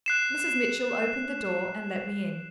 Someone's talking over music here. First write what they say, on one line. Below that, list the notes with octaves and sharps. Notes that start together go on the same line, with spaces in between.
Mrs. Mitchell opened the door, and led me in.
F#6 C7 E7